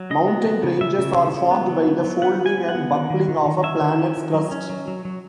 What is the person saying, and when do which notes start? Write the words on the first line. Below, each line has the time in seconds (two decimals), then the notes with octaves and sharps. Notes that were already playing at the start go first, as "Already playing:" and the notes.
Mountain ranges are formed by the folding and buckling of a planet's crust.
Already playing: F#3
0.10 C#3 D#5
0.28 B3
0.45 B3
0.63 C#3
0.81 C#3 E5
0.99 C#3
1.16 C#3
1.34 C#3
1.51 B3
1.69 F#3
1.87 B3
2.04 F#3
2.22 B3 F#5
2.39 B3
2.46 G#5
2.58 B3
2.69 F#5
2.75 B3
2.92 D#3
3.10 D#3
3.28 D#3
3.46 D#3
3.63 C#4 E5
3.81 D#3
3.99 C#4
4.17 D#3
4.34 F#3
4.51 C#4
4.70 F#3
4.88 F#3
5.05 F#3